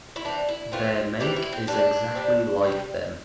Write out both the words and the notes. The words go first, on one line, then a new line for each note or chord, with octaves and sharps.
Their make is exactly like them.
E4
E3 A3 C4 D4
E4
E3 A3 C4 F4
C3 E3 G3 C4 G4
E4
C4
C3 E3 G3 C4 D4
C3 G3 C4
C3 G3 C4